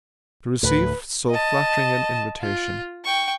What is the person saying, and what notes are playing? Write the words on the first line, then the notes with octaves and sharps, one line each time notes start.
To receive so flattering an invitation!
D2 A2 B4
D#5 A5
F4
G5 C#6